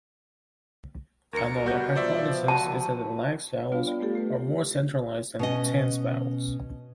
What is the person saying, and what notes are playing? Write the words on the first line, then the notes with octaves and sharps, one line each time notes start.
Another hypothesis is that lax vowels are more centralized than tense vowels.
D2 A#4 C#7
B2 G3 F#4 G6
B2 F3 C5 D5 E5
F#4 A5
C#5
G3 B3 D4 F4 B4 F5
B3 F4 D5 G5
A3 B3 F4 G4 A4
A3 B4
B2 C#4 D#5